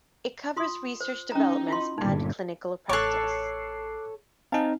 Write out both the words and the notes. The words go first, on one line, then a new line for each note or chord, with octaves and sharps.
It covers research developments and clinical practice.
F4 C6 D#6
C5
C#4 D#4 A#5
E4 F4 C6
G1 G2 A#2 D#4
A1 A4 C#5 D6 F#6 C7
C4 D#4 F5 G#5 A5